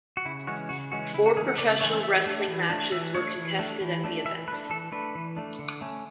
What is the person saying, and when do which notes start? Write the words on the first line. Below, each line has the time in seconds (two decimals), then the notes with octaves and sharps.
Four professional wrestling matches were contested at the event.
0.17 F#4
0.25 C#3 E4
0.47 E3 G#3 C#4 F#4
0.69 C#3 F#4
0.92 E3 G#3 C#4 F#4
1.14 C#3 E4
1.26 F#4
1.36 E3 G#3 C#4 G#4
1.48 F#5
1.58 C#3 D5
1.80 E3 G#3 C#4 C#5
2.03 E3 E5
2.26 A3 D4
2.48 E3
2.70 A3 D4
2.92 E3 E5
3.15 A3 D4 C#5
3.36 E3
3.59 A3 D4
3.81 E3
4.04 A3 D4
4.25 E3 E5
4.47 A3 B4
4.52 D4
4.70 E3 A4
4.92 A3 D4 B4
5.15 E3
5.37 A3 D4
5.59 D3
5.81 A3 C#4